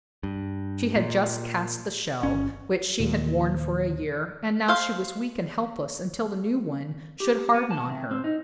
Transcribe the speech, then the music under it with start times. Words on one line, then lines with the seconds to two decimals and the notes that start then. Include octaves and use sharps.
She had just cast the shell which she had worn for a year, and now she was weak and helpless until the new one should harden on her.
0.23 G2
0.96 A#2
2.23 G1 C#4
3.00 D#2 A#2
4.68 C5 F5
7.20 G4
7.54 B3
7.71 A5
7.90 C3
8.11 C4
8.24 D#4